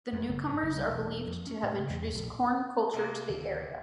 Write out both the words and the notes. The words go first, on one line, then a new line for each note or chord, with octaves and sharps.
The newcomers are believed to have introduced corn culture to the area.
F2
F#1
G#2
F#1
C2
E1
F2
C#4
A2
C#3
E2
A#1
C2 C3 A#3
D1 D3 D#3